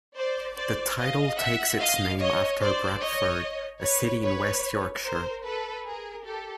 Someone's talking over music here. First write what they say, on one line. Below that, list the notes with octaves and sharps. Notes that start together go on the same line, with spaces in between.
The title takes its name after Bradford, a city in West Yorkshire.
C5 D5
C5 D5
D#5 F5
E5 F#5
D#5 F5
C#5 D#5
C5 D5
C#5 D#5
B4 C#5
B4 C#5
A#4 C5
A4 B4
G#4 A#4
G4 A4